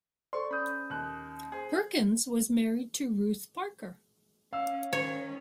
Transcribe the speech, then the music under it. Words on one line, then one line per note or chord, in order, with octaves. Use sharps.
Perkins was married to Ruth Parker.
A4 C5 D5 C6 C#6
C#4 B5 D#6 G6
D#2 F#6
G#4 C5
C#4 F5 E6
D#3 C#4 C#5